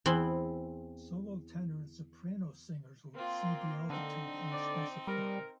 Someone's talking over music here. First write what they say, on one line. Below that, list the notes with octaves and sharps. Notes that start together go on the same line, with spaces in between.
Solo tenor and soprano singers will exceed the altitude here specified.
E2 C4 E4 C6
A#3 C4 F4
D3 C4 D#4
D5
G3 A#4